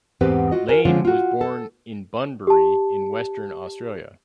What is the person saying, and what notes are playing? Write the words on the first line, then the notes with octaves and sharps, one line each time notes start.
Lane was born in Bunbury in Western Australia.
E2 G#2 B3 C4 G4 B4
F4 F#4 D#5
F#4 A#4 B4 G#5
D3 F3 G#3 C4 C#4 F4
F4 F#4
A4
G4 A5